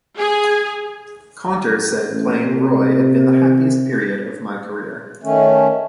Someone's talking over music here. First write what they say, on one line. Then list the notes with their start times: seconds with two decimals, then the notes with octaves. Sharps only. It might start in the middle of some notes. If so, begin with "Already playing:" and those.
Caunter said playing Roy had been the happiest period of my career.
0.18 G#4 G#5
2.11 A1
2.45 C3
5.23 D#3 A3 C#4